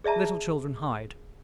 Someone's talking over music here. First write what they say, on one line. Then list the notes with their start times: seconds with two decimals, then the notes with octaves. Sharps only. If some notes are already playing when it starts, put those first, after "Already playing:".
Little children hide.
0.04 G#4 D5 E5 A5 A#5